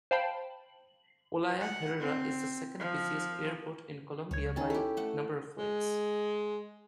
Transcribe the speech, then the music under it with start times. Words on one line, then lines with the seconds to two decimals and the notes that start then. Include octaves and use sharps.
Olaya Herrera is the second busiest airport in Colombia by number of flights.
0.11 C5 F5 G5 A5 B5
1.61 F#5
2.00 C4
2.80 F3
4.31 C#2 C#5 G#6
4.56 D#3 C#4
4.70 E4 G4 A4
4.97 A3 F#5
5.58 G#3